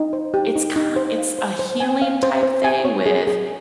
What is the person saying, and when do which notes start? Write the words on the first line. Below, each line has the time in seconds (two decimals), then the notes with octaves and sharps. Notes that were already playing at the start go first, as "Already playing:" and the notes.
it's ki it's a healing type thing with
Already playing: D#4
0.13 C5
0.34 G4
0.55 D#4
0.76 D#4
0.96 C5
1.18 F5
1.39 C5
1.59 C5
1.80 G#5
2.02 F5
2.23 C5
2.43 C5
2.64 G#5
2.85 C#5
3.06 G#4
3.27 G#4